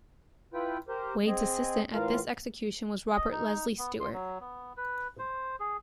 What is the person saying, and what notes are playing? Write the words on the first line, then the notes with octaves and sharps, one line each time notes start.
Wade's assistant at this execution was Robert Leslie Stewart.
E4 F4 B4 G5
G4 A#4 C5
C4 G#4 D#5
A2 E3 F4 A#4 F5
D#5
D#4
B3
C6
F#3
B3
B4
C5
G#4